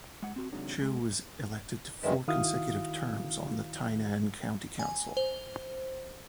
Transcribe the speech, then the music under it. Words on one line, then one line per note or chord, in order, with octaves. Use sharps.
Chou was elected to four consecutive terms on the Tainan County Council.
G#3 F#5
C4 F#4
C3 D#3 F#3 G#3 D4
G#3
F#2 D#3 G#3 B4 D5 E5
D#3 E4 F#4 F5 D#6
G#5
C5